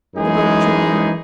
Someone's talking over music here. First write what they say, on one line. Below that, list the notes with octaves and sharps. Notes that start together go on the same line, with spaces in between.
The boat drew nearer.
F#2 E3 G#3 D#4 G#4